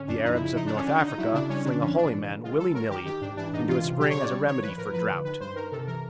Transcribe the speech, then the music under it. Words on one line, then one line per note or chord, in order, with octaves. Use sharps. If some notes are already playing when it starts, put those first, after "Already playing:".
The Arabs of North Africa fling a holy man, willy-nilly, into a spring as a remedy for drought.
Already playing: G#2 D3 C#4
F#2 D4
F3 D#4
E4
C#3
E4
F3 D#4
D4
D3
C#4
F#3 D4
D#4
D3
D#4
F#3 E4
C#3 D4
G3 C#4
D3 D4
F3 C#4
A#2 D4
E3
C#3
G#3 F4
D#3 A4
F#3 A#4
D#3 G4
D#3 G4
G#2 D4
E3 D4
G#2 D#4
E3 F4
C3
F#3 G4
C#5
C#3
D5
G3
D#3 C#5
F3 B4
A2 A#4
F3 B4
D3
D#3 B4
G2 C5
D#3 A#4
C3 A4
E3 A#4